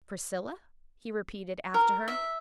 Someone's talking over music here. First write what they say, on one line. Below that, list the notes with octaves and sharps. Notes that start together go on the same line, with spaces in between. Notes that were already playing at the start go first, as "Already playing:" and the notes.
"Priscilla?" he repeated, after her.
A#4
E5